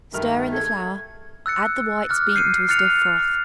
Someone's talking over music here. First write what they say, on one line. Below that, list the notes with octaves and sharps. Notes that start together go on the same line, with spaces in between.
Stir in the flour; add the whites beaten to a stiff froth.
G2 D#3 A3 A#4 F6
A4 G#6
E6 F#6 A6 C#7
D6 F6 F#6 A6
F6 G6 C7 C#7 D#7
F6 F#6 A6 C#7 F7